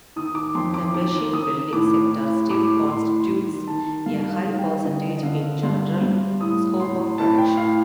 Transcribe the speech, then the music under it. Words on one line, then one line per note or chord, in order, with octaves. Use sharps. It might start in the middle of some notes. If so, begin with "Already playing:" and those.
The machine building sector still constitutes a high percentage in general scope of production.
D#3 D#6
D6
F2 C6
D6
D#3 D6
D#3 D#6
A2 D6
A2
A2 D6
A2 C6
D#3
D#3 A5
G2 F5
F5
D#3
G5
D3 D#5
D#5
D3 F5
G2 C6
G2
A2 D#6
A2 C6
A2 A5
G5
A2 F5